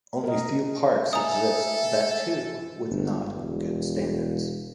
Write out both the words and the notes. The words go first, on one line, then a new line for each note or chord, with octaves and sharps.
Only few parks exist that too with not good standards.
A#4 D#5
A4 D#5 E5 G#5 A#5 D#6
G1
E1